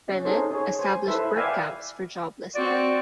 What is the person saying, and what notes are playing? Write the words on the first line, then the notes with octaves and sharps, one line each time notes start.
Bennett, established work camps for jobless men.
C#4
C#4 D#4 G#4 A4 C5
G#4 C#5
C5 G#5
E4 A4 B4 C5 E5
B4 D5 E5 F5 G5 G#5
C4 F#4 D5